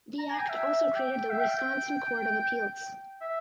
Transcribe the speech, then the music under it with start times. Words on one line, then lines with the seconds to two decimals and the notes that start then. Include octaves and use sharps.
The act also created the Wisconsin Court of Appeals.
0.19 A#5
0.29 G#5
0.39 G5
0.49 E5
0.95 G5
1.30 E5
1.40 G5
3.21 E5